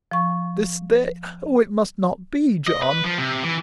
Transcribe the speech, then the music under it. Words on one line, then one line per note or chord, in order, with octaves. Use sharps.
This day--oh, it must not be, John!
F3 C#6
D#5
B4
F3
C3
E3